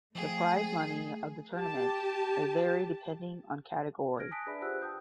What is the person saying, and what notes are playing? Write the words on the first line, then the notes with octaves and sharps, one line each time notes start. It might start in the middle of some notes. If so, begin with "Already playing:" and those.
The prize money of the tournaments may vary depending on category.
F3 A3 G#4 F5 G5
G4 A5
F6 G#6 A#6 D7
G#5 A5 D#6 F#6 B6 D7
D4 G#4 B4 D5 E5 B5
F4 G4 C5 F#5 E6 F#6
G5 A5 D#6 G6